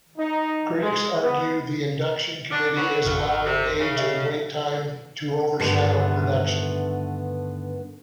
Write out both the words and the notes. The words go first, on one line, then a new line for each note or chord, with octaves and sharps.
Critics argue the induction committee is allowing age and wait time to overshadow production.
D#4
G#3
B3
C#4 D4
B2 F#3
G#1 F2 B2 D#3 A3 F6
C3
C#3
G4 D#5 E5
G2 D3 D#3 A3 B3